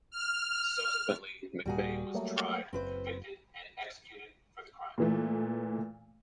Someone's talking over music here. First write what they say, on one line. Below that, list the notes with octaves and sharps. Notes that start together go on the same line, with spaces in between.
Subsequently, McVeigh was tried, convicted and executed for the crime.
F6
D#1 A#2 G3 F#4 G#4
F#3 A3 A#3
F#1 C4 B4 C5
A#2 E3 A3